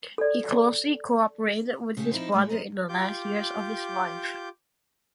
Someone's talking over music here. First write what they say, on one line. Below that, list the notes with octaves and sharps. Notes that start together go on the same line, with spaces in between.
He closely cooperated with his brother in the last years of his life.
A4 D5
C#3 A3 G4 A4
F3 C4 D#4 E4
A2 G#3 A3
F#2 C5 D#5 A#5
F4 G4 D6 G6